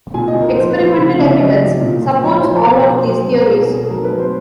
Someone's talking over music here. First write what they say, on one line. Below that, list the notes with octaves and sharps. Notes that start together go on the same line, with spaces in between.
Experimental evidence supports all of these theories.
A#2 G#5
D#5
A#2
A#4
F3 C5
B4
F3
C5
C#3
C#3 E5
D5
F#3 D#5
F#3
A#2
A#2
F3 C#5
C5
F3
C5
B2 B4
B2 C5
F#3 C5
F#3
A#4
B2 F#4
G#4
B2
A4
F#3 A#4
B4
F#3
C5